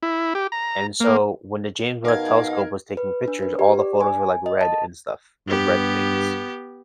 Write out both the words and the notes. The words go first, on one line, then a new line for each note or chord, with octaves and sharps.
and so, when the James Webb Telescope was taking pictures, all the photos were, like, red and stuff of red things,
E4
G4
A#5
A#3
B2 D#4 A#4 F5 G#6
B4
D4
B4
G4
D5
G#5
D#5
A5
G2 B3 G4